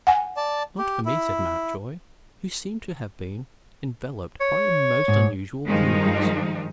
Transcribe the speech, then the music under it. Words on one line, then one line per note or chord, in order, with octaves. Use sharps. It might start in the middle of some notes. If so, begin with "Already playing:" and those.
"Not for me," said Mountjoy, who seemed to have been enveloped by a most unusual prudence.
F#5 G#5
D5 A5
G4
E4
C#5
G#2
G2 D#3 F3 G#3 D#4